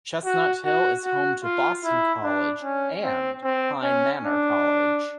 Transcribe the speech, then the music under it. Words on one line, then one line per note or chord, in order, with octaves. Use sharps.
Chestnut Hill is home to Boston College and Pine Manor College.
F#4
F#4
F#4
F4
E4
D4
C#4
C4
C4
C#4
D4